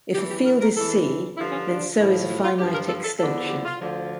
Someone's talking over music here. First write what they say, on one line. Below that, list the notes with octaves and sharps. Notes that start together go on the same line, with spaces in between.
If a field is C then so is a finite extension.
E2 E3 G4
G4
A#4
A#4
E2 E3 A4
G2 D3 F3 E4
C#4
D4
A2 F3
E4
F4
G2 F3 G4
A#4
A4
A4
E2 D3 F3 A4
G4
F4
D2 D3 F3